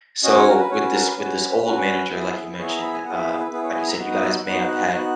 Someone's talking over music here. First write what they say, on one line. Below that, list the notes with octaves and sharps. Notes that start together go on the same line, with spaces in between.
So, with this with this old manager, like you mentioned um, like you said, you guys may have had
C#4 F#4 D#5
C#5
A#4
B4
C#4 F#4 C#5
B4
A#4
B4
C#4 F#4
C#4 F#4 B4
B3 E4 G#4
B3 E4 G#4 C#5
A#5
B5
G#5
B3 E4 G#4 F#5
E5
B4
B4
B3 E4 G#4 B4
C#5
G#5
A#5
B3 D#4 F#4
D#6
E6
F#6
B3 D#4 F#4 F#6
B3 D#4 F#4